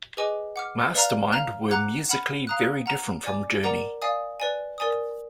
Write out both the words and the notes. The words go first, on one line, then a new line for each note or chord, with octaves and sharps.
Mastermind were musically very different from Journey.
G#4 B4 D#5 G#5 D6
F#5 D6 F6
B4 D5 F5 A#5 F6
F5 A#5 F6
F#5 A#5 D6 F#6
F#5 B5 F6
F5 A#5 D#6 F#6
F#5 A#5 F6
D5 G#5 D6
A#4 D5 F#5 A#5 D6
D5 F5 G#5 D#6
B4 D5 G#5
A#4 D5 G#5 D#6